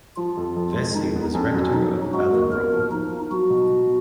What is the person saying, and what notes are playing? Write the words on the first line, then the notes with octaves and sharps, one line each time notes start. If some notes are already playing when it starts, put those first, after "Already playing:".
Vesey was Rector of Ballinrobe.
F3 F4
F2
F2
G#3
D#3 D#4
B3
F2 C#4
F#3
D#3 D#4
C#4
G#2 F#4
A#3
B3 A#4
F3
F3 D#4
F4
F#3 F#4
B2
B2